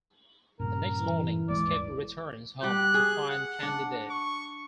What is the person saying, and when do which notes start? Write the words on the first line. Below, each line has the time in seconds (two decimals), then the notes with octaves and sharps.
The next morning, Skip returns home to find Candy there.
0.60 G2 A#2 C#3 A#4
1.00 E3
1.48 D#1 G#1 G#3 D5
2.63 G3 G4 F#6
2.94 G#4
3.30 F#5
3.63 D4
4.10 C#6